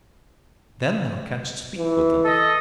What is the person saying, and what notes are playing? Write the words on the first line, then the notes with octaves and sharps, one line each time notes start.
Then thou canst speak with them.
E3
A4 D#5